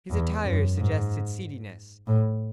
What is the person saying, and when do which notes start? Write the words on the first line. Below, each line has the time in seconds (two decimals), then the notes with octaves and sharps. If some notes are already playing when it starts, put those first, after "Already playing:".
His attire suggested seediness.
0.11 E2
0.43 F#2
0.77 G#2
2.07 A2